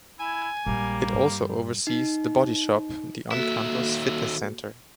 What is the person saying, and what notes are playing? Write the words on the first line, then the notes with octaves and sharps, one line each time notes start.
It also oversees The Body Shop, the on-campus fitness center.
E4 G#5
A#1 G3 G#3 A#3
G2
D#4
D#2 A#3 F#4 A4 E5